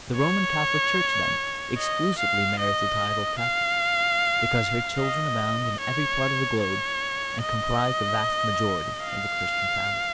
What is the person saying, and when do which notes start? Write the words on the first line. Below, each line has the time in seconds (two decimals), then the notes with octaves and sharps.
The Roman Catholic Church, then, exclusively merits the title of Catholic, because her children abound in every part of the globe and comprise the vast majority of the Christian family.
0.17 C#5
1.78 D#5
2.18 F5
2.59 D#5
3.39 F5
5.00 D#5
5.81 C#5
6.61 C#5
7.42 D#5
9.03 F5